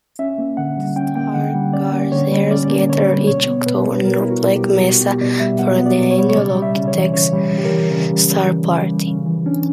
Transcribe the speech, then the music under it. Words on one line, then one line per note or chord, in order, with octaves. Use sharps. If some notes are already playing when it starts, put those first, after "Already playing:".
Stargarzers gather each October near Black Mesa for the annual Okie-Tex Star Party.
C#4 E5
A#3
D3 F#5
G3
C#4 G5
A#3 G5
D3 F#5
G3
C#4 D5
A#3
D3 C#5
G3
C#4 D5
A#3
D3 C#5
G3
B2 C#5
B3
B2 B4
G3
B2 A#4
B3 E4
F#4
B2
G4
G3
B2 F#4
B3 G4
B2 D5
G3 E5
B2 F#5
B3
D5
B2
C#5
G3
C#5
C#3 D5
G3
E5
C#3
C#5
E3
C#3 C#5
G3
C#3 G4
A#4
E3
C#3 C#4
G3
C#3
E3
C#3
G3
C#3
E3
C#4 D4